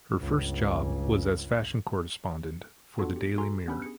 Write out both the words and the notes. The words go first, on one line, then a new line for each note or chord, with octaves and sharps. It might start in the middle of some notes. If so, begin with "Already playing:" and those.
Her first job was as fashion correspondent for the "Daily Mirror".
G1 C#2
B3 D4 F4 F#4 A4
G4
F#4 A4 G#5 A#5 C6
B3 C#4 D4 G4 B5
G#4 C#7